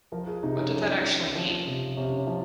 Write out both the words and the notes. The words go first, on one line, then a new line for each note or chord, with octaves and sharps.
What did that actually mean?
F3 A#4
G#4
C3 D#4
C#4
F3
F3
F3
C3
C3 C#4
C#4
F3